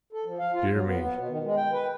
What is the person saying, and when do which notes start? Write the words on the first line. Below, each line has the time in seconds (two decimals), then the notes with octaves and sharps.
Dear me!
0.13 A4
0.25 F3
0.39 F5
0.54 F4
0.70 F#3
0.86 B3
1.01 B3
1.16 B2
1.29 D#3
1.44 G#3
1.57 G5
1.72 B4